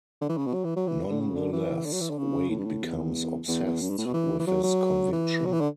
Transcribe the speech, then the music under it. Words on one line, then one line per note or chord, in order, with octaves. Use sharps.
Nonetheless, Wade becomes obsessed with his conviction.
D3
E3
C#3
B2
F#3
E3
F#3
E3
D3
C#3
D3
E3
D3
F#3
E3
D3
C#3
A2
G2
A2
E2
E2
E2
F#2
G2
A2
B2
E3
E3
F#3
F#3
E3
F#3
E3
D3